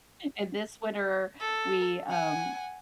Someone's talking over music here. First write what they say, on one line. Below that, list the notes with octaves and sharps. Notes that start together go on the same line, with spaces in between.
and this winter, we, um
A4
F#5 G#5